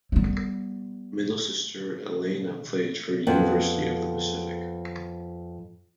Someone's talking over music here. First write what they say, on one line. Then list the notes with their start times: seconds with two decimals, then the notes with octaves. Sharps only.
Middle sister Elaina played for University of the Pacific.
0.12 G3 B3
3.27 F2 B3